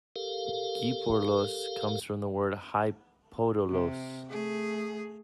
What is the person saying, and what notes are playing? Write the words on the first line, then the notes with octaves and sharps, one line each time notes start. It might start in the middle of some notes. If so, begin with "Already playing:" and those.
Giporlos comes from the word "Hi-Podolos".
G4 A4 A#4 F5
C3
A3 G#4